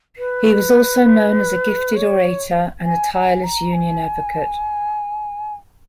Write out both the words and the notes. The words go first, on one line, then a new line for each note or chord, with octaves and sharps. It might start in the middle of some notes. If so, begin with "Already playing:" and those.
He was also known as a gifted orator and tireless union advocate.
B4
C#5
G#5
G#5
A#5
G#5